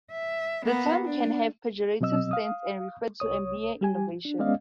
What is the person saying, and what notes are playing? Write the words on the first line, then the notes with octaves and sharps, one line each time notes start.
The term can have pejorative sense and refer to a mere "innovation".
E5
A#3 B3
D4
B2 F#3 C4 D#5 E6
F5 D#6
C2 C#5 D#6
G3 G4 G#5
D4
G#3 B3 C#4 D5 D#5 F5